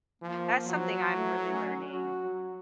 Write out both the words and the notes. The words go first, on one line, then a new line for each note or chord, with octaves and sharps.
that's something I'm really learning.
F3 A#3
F3 F#3
A3
C#4
F#4
F#3